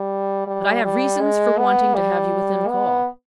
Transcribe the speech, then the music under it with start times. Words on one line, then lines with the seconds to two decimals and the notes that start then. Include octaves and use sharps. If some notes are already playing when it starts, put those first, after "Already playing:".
But I have reasons for wanting to have you within call.
Already playing: G3
0.47 G3
0.84 G3
1.21 G#3
1.58 B3
1.95 G3
2.68 B3